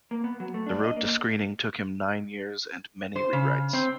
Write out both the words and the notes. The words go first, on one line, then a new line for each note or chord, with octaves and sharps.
The road to screening took him nine years and many rewrites.
A#3
B3
F#3
A3
D4
D#5
A#3
C5
C#3
C4